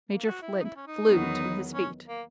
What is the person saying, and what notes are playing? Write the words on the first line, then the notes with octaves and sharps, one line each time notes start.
Major Flint flew to his feet.
A#3
F#4
E4
D#4
E4
C#4
D#4
E2 D#3 F#3 B3
C#4
A#3